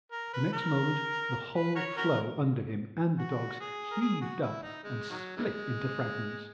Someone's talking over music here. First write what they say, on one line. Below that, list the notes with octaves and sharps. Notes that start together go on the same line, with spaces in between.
The next moment the whole floe under him and the dogs heaved up and split into fragments.
A#4
B4
A#4
B4
F#4 A#4 C#5
C#4 F#4 A#4
F#4
G#4
A#4
G#4
F#4
E4
D#4
G#3
D#3 F#3
C#3 E3 G#3